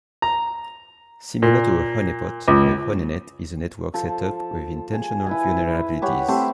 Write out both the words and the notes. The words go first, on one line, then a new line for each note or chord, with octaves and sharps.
Similar to a honeypot, a honeynet is a network set up with intentional vulnerabilities.
A#5
A#2
C#2
F3 A4
G#4
E4 B4 G#5
G4 B4 C#5 F#5
A3 C4 G4 C6